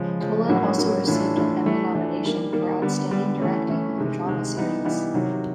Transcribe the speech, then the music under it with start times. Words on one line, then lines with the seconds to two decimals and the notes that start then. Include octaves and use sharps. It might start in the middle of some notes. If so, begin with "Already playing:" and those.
Tolan also received an Emmy nomination for Outstanding Directing in a Drama Series.
Already playing: C#3 F3 G#3
0.21 C#3 F3 G#3
0.49 A2 F#3 A#3 C#4 F#4
0.78 A2 F#3 A#3 C#4 F#4
1.08 A2 E3 A3 D4 F4
1.36 A2 E3 A3 D4 F4
1.65 E3 A3 D4
1.95 E3 A3 D4
2.23 D#3 G3 A#3
2.53 D#3 G3 A#3
2.81 D3 G3 B3
3.11 D3 G3 B3
3.39 E3 A3 C#4
3.69 E3 A3 C#4
3.98 C3 D#3 G#3
4.26 C3 D#3 G#3
4.55 E3 G3 B3 D#4
4.85 E3 G3 B3 D#4
5.14 C3 D#3 F#3